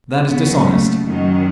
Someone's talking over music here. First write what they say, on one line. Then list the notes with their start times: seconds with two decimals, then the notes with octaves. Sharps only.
That is dishonest.
0.30 D#2 C#3 F#3 B3
0.68 A3
1.05 F#2 D#3 F#3